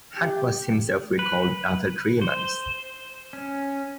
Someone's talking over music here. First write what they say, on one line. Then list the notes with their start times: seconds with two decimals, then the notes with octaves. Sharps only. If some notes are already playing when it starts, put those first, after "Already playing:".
Hunt was himself recalled after three months.
0.15 G4
1.19 B4
2.22 C5
3.33 C#4